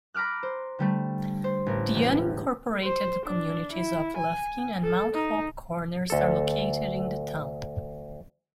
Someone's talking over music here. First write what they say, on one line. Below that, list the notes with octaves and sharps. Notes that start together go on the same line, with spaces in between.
The unincorporated communities of Lufkin and Mount Hope Corners are located in the town.
A#5 B5 D6 F6 F#6
C5
D3 G3 A3
C5
A1 A#4
E1
C5
D4
E4
G#5
A4
D#4
D2 A4